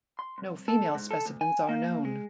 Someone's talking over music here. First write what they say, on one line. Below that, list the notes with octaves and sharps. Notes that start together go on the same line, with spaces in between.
No female specimens are known.
C6
C2
A4
G#2
A4
D2
G#5
A#3
G#3